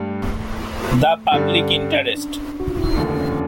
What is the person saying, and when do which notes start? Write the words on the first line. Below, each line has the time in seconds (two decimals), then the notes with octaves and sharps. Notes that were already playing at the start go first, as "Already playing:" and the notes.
The public interest.
Already playing: G2 G3 A3
1.32 G2 D3 G3 C#4
2.15 D4
2.60 F#4
2.69 F4
2.78 E4
2.87 D#4
2.96 F1 D#2 D3 F3 D4
3.17 C#4